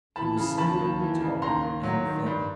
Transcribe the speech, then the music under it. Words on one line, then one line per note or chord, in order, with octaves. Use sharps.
He was singularly tall and thin.
E3 A5 B5
C#3
D#2 A5 B5
D#2
E3
C#3
D#2 A#5 C6
D#2
F#3
D#3
G2